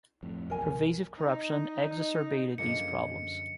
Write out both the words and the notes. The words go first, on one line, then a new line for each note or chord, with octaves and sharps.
Pervasive corruption exacerbated these problems.
F2 A2
E1 B1 A#4 G#5
D#4
F#2 D3 F3 G#3 A#3 C#7